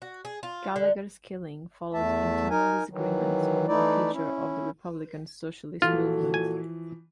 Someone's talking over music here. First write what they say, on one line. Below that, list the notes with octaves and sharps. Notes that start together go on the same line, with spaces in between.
Gallagher's killing followed internal disagreements over the future of the republican socialist movement.
F#4
G#4
F4
D3
E2 A3 E5 A5
D#4 A#4 G#5
D#3 E3 F#3
E3 A3 D#4 E4 D5
C#4 E4
A#2 E3 F3 F4 F#4 A4
G#5